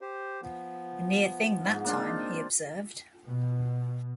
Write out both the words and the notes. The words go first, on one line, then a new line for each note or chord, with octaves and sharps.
"A near thing that time," he observed.
G4 C5
F3 B3
G#2
A#3 D4 F4
C4 D#4
B2